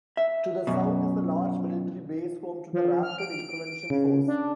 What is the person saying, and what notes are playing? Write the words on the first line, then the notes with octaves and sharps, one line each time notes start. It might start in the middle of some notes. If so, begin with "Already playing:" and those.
To the South is a large military base home to the rapid intervention force.
E5
F#2 B2
F3
F6
D7
C#3
D4